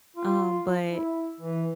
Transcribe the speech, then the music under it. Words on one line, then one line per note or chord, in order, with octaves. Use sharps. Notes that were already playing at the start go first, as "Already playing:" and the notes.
um, but
F4
E4
E3